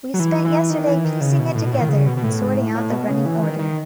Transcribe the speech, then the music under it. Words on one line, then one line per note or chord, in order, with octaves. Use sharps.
We spent yesterday piecing it together and sorting out the running order.
F#3
E3
E3
D#3
E3
D#3
C#3
B2
A2
B2
A2
D#3
C#3
B2
B2
A2
G#2
A2
A2
B2
C#3
E3
D#3
D#3